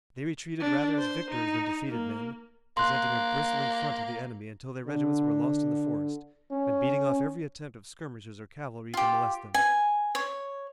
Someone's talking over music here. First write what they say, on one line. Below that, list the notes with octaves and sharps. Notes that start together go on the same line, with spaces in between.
They retreated rather as victors than defeated men, presenting a bristling front to the enemy until their regiments were lost in the forest, and beating off every attempt of skirmishers or cavalry to molest them.
D4
C5
D#4
A#3
A#3 C6 F#6
D3
C#4
F4 G4
G#5
C#5